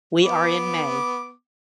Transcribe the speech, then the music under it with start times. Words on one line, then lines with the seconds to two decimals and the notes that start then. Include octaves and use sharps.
We are in May.
0.22 B3 D6